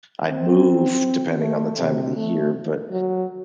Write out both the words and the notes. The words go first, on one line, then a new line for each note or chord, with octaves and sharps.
I move depending on the time of the year, but
C4
A3
C3
A3
F#3